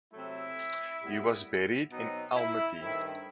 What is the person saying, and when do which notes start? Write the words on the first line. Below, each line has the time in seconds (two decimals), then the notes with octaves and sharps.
He was buried in Almaty.
0.12 C3 F#3 A3 E4
1.02 A2 G3 B3
1.92 B2 F#3 C4 D#4
2.36 E4
2.80 G2 D#3 A3 C4 E4